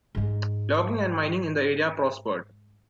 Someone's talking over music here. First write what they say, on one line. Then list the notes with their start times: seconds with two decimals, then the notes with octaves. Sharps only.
Logging and mining in the area prospered.
0.15 G#2 G#3